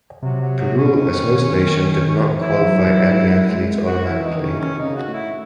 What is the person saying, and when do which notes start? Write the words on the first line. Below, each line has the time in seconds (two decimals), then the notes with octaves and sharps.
Peru as host nation did not qualify any athletes automatically.
0.22 C3 F#3
0.41 F#3
0.59 F#3
0.77 C#4
0.95 D#3 C#4
2.40 E3 E4
2.65 F#3
2.89 F#3
3.14 F#3
3.49 G#3
3.86 F#4
4.05 E4
4.10 E3
4.22 D#4
4.35 D#3
4.42 C#4
4.59 D#3 C#4
4.76 C3 D#4
4.84 C#3
4.96 F#4
5.08 A2
5.13 E4